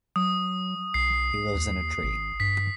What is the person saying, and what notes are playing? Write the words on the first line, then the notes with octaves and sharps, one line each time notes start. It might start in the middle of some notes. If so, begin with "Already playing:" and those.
He lives in a tree.
F#3 D#6
B1 C7
D#2
G#1
G2 B6